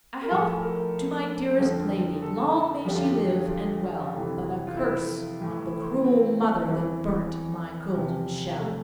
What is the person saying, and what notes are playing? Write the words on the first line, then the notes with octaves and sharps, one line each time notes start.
'A health to my dearest lady, Long may she live and well! But a curse on the cruel mother That burnt my golden shell!'
A#4
A2 F3 A4
A#4
F2 D3 F3
A4
F2 D3 F3 G4
F4
G4
F4
F2 C3 E3
F4
E4
A2 E3
C4
E2 E3
E2 C3 F3
A3